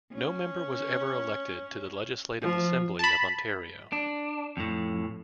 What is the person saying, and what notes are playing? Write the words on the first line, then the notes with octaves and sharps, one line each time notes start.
No member was ever elected to the Legislative Assembly of Ontario.
C#4
F3
A5 B5
D4
F2 A2